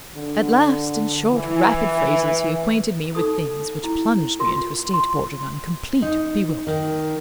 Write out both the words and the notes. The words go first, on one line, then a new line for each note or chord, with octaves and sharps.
At last, in short rapid phrases, he acquainted me with things which plunged me into a state bordering on complete bewilderment.
D3
E3
D#4 A4 D#6
E4
F4 A#4 C6
C6
D#4
D#3